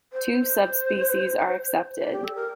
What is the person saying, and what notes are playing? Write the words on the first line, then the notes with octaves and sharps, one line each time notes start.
Two subspecies are accepted.
C5
D5
G4
A4
A#4